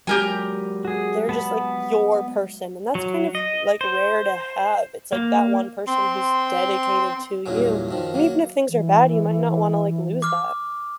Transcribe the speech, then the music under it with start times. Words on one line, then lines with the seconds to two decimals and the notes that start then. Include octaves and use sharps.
they're just, like, your person, and that's kind of, like, rare to have, it's like that one person who's dedicated to you, and even if things are bad, you might not wanna, like, lose that.
0.07 F#3 G#3 G4 A#4 G#5
0.85 F#4 G#4
1.29 B3 A5 B5
2.95 F#3
3.35 D#5
3.81 C5
5.13 A#3
5.87 C4 C6
7.46 E2 G2 A#2 F#3
7.89 F#2 D#3 F3
8.14 F#3 A#3
8.68 E3
10.22 D6 F6